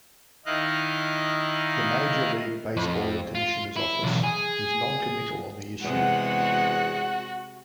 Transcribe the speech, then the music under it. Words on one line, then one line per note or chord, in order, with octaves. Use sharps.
The Major League Baseball commissioner's office was noncommittal on the issue.
D#3 D#4 E4 D#5 F5 F#6
F2
F4
E4
B1 E2
G#4
E2 C3 G#3 F#4 F#5